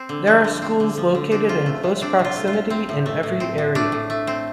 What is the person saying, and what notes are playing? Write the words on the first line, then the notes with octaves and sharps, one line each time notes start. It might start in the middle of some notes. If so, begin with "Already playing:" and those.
There are schools located in close proximity in every area.
Already playing: C4
D3
F3
D3
C4
D3
F3
D3
C4 D4
C3 F4
A3
C3
C4 D4
C3
F4
A3
F4
C3
C4
A2
A3
A2
C4
A2
A3 D4
A2
A3
C4